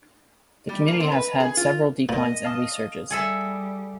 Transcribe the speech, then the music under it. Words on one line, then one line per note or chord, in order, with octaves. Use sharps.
The community has had several declines and resurges.
G3
A#3
C4
B4
G#4
F4
A#2 D#5
F5 A5 D#6
G3 G#4 A4 E5